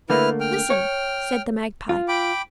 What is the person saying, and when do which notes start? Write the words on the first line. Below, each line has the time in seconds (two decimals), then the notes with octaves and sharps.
"Listen," said the Magpie.
0.10 D3 A3 A#3 E4 B4 F6
0.40 G5 F6
0.70 C#5
1.89 F4
2.08 G5 B5 D6